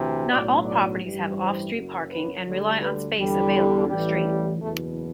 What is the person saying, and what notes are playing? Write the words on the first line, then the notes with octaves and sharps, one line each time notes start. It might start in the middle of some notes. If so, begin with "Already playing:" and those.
Not all properties have off-street parking and rely on space available on the street.
Already playing: D2 C3 E3
B1 A2 F#3 D5
D5
A1 G2 E3 G3
C5
F#1 F#2 F#3
B4
D2 D3 G3
B4
E2 D3 G3
A1 A2 E3 G3 G4
F#1 E2 B2 A3